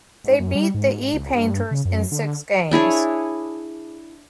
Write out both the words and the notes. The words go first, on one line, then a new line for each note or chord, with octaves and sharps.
They beat the E-Painters in six games.
G#2
F#2
G3
G#2
C#2
G2
C#3
F#2
D3
D4 E4 G#4 C#5